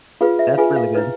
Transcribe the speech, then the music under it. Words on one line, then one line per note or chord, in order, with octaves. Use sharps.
that's really good.
F4 G#4 B4 F5
E5
F5
F4 G#4 B4 G#5
F5
E4 B4